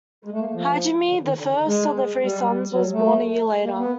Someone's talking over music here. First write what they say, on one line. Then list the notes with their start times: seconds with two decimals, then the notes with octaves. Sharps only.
Hajime, the first of their three sons, was born a year later.
0.25 G#3
0.33 A3
0.40 A#3
0.54 F3
1.10 D3
1.24 D#3
1.38 D3
1.67 G#3
2.23 G3
2.73 F#3
2.80 G3
2.93 A3
3.64 A#3
3.79 B3